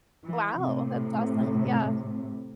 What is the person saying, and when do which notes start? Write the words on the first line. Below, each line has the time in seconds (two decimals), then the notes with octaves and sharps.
Wow, that's awesome. Yeah.
0.24 E3
0.63 A2 C3